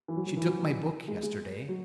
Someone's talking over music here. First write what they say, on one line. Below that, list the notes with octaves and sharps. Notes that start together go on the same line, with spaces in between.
She took my book yesterday.
E3
F#3
F#3
E3
F#3
G#3
G#3
F#3